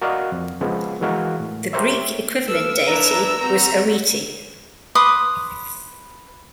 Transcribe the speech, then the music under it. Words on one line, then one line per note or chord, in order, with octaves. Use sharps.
The Greek equivalent deity was Arete.
F#4 A#4 D5 D#5 F5
F2
C#3 F3 G#3 B3
E3 G#3 F#4 A#4 F5
A2
G4 A#4 C5 C#5 E5
A4 B4 E6 F6
D4 E4 A#4 A#5 E6
C4 F#4 A#5
B4 C6 D6 D#6